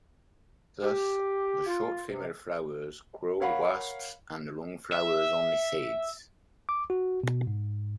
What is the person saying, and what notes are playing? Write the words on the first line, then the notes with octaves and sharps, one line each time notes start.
Thus, the short female flowers grow wasps and the long flowers only seeds.
G4
F4
C3
A#4 C#5 F5 F#5 B5
E5
D6
F#4
B2
G#2